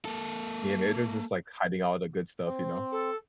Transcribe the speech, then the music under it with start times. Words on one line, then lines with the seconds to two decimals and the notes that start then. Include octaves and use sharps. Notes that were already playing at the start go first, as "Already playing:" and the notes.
Yeah, maybe they're just, like, hiding all the good stuff, you know?
0.05 A#3 A4
2.46 C4
2.91 A4